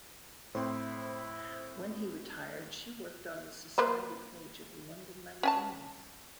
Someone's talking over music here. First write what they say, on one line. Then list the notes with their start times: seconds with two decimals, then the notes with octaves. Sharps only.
When he retired she worked on the society page of London magazines.
0.55 A2 C4 E4 C5 C6
3.78 A#3 B4 C5
5.43 C#4 G#5 A5